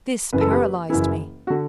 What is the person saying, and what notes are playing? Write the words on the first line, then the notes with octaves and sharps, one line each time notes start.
This paralysed me.
F#1 F#2 E3 B4
A4
G4 B4
F#1 F#2 E3 E4
F#4
D3